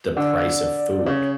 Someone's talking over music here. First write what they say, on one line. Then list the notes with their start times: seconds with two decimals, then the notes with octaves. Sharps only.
the price of food.
0.16 D3 D5
1.06 C#3 C#5